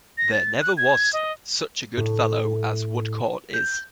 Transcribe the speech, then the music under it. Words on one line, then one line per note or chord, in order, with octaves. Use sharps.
There never was such a good fellow as Woodcourt is.
A#6
A6
F#6
G#6
D#5
A2
G6